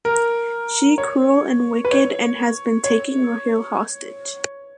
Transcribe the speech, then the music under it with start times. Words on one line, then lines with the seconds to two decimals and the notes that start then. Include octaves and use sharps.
She cruel and wicked and has been taking Rahil hostage.
0.05 A#4
0.98 C#5
1.85 B4
1.91 C#5
2.84 C#5